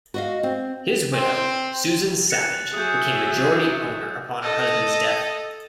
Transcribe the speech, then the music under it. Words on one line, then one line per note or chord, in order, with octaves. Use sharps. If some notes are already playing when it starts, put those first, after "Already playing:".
His widow, Susan Savage, became majority owner upon her husband's death.
F#4 D#5 F5
C4
C4
F#6 A6 C#7
F#3 G#4 E5 D#6 G6
A4 D#5